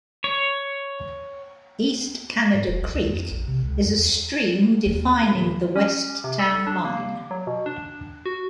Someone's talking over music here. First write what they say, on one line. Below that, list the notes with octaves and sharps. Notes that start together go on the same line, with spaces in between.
East Canada Creek is a stream defining the west town line.
C#5
G#2
D#1
B1
D2
F2
A#1
C3
C#2
F2
E2
D#2 G3
D#1 B5
C#4
C3
A4
D4
A#3
F#3
B2
D4
F#4